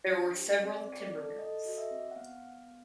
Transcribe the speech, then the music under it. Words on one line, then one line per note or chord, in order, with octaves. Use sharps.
There were several timber mills.
D4
G4
C4 D5
C4
D5
A4
A4 D#5
F#4 D#5
E5
C4
F#5
B3 F5
B3
B3